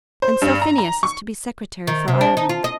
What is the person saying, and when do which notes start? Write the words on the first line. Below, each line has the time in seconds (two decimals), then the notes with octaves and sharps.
And so Phineas is to be Secretary for Ireland!
0.22 C5
0.42 G2
0.62 A#5
0.78 A#5
1.03 C#6
1.87 D#3
2.08 C3
2.21 D4
2.37 D#4
2.49 F4
2.64 D#5